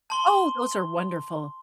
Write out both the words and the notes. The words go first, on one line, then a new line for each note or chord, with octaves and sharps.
Oh, those are wonderful.
A5 C6 G7